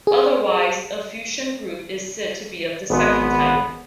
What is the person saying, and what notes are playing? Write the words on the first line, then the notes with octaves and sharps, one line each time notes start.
Otherwise, a Fuchsian group is said to be of the second type.
G#4
G#1 G#2 B3